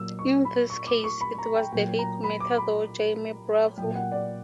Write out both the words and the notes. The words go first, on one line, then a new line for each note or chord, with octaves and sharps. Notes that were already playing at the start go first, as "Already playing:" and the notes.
In this case, it was the late Matador Jaime Bravo.
Already playing: A#2 F#3 E6
C#6
B5
C#6
D6
C#6
B5
A#5
G5
A#2 F#3 G5
A#5
B5
D6
B5
A#2 F#3 G5
F#5
D5